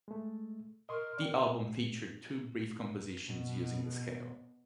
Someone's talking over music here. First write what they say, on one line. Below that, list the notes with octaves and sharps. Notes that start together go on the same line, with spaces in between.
The album featured two brief compositions using the scale.
G#3 A3
A#4 D#5 C6 C#6
D5 G5
B2